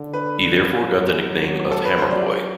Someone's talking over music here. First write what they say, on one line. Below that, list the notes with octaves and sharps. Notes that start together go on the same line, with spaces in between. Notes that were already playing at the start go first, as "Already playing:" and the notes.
He therefore got the nickname of "Hammerboy".
Already playing: D3
B4
F#3
A4
B4
C5
D5